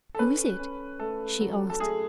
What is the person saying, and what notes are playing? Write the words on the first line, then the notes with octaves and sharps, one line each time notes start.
"Who is it?" she asked.
A4
C#4 B4
C#4
A3 A4
F#3
A4
A3 G#4